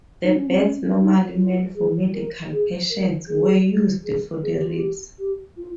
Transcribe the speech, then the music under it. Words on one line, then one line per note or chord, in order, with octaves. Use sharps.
The beds normally meant for medical patients were used for the rapes.
D#4
C#4
C4
C#4
D#4
F4
G#4
A#4
G#4
A#4
G#4
G#4
G#4
G4
F4
G4
G4
F4